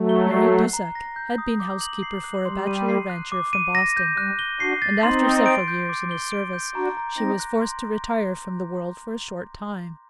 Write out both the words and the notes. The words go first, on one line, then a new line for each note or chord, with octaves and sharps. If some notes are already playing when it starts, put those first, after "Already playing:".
Mary Dusak had been housekeeper for a bachelor rancher from Boston, and after several years in his service she was forced to retire from the world for a short time.
Already playing: F#3 A3
G7
C7
F#6
A#5
A#6
G6
D#6
D6
F#7
C7
F#6
G3 C6
D#7
C7
F#6
D6
D#7
A#6
G6
G3 F#6
G7
D4 F#4 C7
A6
C4 D#4 C6
G7
D7
G6
D6
G7
D7
G6
D4 F#4 A#5
A#5
C4 D#4 A#6
F#6
C6